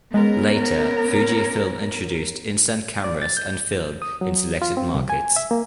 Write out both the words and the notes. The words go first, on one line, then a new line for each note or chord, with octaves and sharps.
Later, Fujifilm introduced instant cameras and film in selected markets.
G#3 B3 C#4 A#4
D5
A6
G6
D#6
F#3
F4
C4
C2
G#5
E5
A#3